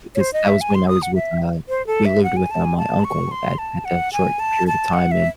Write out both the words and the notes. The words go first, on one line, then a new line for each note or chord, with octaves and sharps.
'cause that was when I was with, uh we lived with, uh, my uncle at at that short period of time, and,
C#5
C5
D#5
E5
G#5
C6
D#6
F#5
E5
C5
A4
E5
F#5
G#5
A5
G#5
A5
C#6
C6
A5
F#5
G#5
A5
A5
F#5
E5